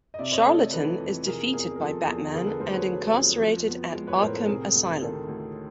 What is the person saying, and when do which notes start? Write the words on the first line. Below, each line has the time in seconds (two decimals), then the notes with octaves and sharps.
Charlatan is defeated by Batman and incarcerated at Arkham Asylum.
0.14 D#5
0.19 C3 D5 E5
0.32 C#5 D#5
0.46 A3 A4
0.60 A4
0.72 E3 A4 B4
1.00 F2
1.26 C3 G#4 A#4
1.53 E2 G#4 A#4
1.76 A#4
1.80 F3 A4
2.07 E2 G#4
2.33 D3 G#4 A#4
2.47 A4 B4
2.60 A3 A#4 C5
2.73 B4 C#5
2.87 F#3
3.14 F2
3.41 F3
3.68 B3
3.95 G#3
4.07 B4 C#5
4.21 A2 A#4 C5
4.34 A4 B4
4.47 C3 G#4 A#4
4.74 D2
5.01 D#3 A4
5.28 D2